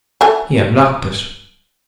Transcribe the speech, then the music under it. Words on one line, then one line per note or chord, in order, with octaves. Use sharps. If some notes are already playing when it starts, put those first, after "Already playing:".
He unlocked it.
A4 E5 G#5